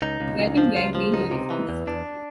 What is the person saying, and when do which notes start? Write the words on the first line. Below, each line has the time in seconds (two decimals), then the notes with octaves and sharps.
Welpen wear green uniforms.
0.02 C#2 D#4
0.21 C#2
0.39 C#2
0.57 F3
0.76 C#2 F4
0.95 F3
1.13 C#2 D#4
1.31 C3
1.50 E3
1.69 E2
1.87 E2 D4